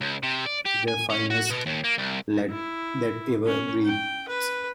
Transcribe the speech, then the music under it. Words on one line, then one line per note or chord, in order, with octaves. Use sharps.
The finest lad that ever breathed!
C#2
C3
D5
G4
G#5
C#4
F#4
B2
D#2
A#3
C2
E4
C#4
G5
B4